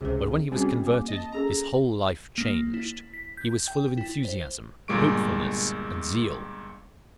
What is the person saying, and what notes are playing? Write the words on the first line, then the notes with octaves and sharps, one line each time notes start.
But when he was converted his whole life changed: he was full of enthusiasm, hopefulness and zeal.
C#2 C3 G#4 C5
C3 G3 C4 C#4 F#4 G#4
A#3 G#5 D6
D#5 A5
C#4 G#4 A4 A#5
A#3
E4
B6
G6
G5
E4
C5
G1 A#2 G3 G#3 C#6 D7